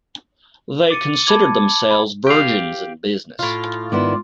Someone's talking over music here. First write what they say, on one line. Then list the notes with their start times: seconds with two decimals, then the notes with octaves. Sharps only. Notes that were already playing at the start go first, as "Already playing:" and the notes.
They considered themselves virgins in business.
0.90 D6 A6 C#7 D#7
1.27 A5 B5 D6 G#6
1.91 B5
2.27 G4 F5
3.39 A2 F4
3.92 G#2 D#3 B3 E4 F4 D5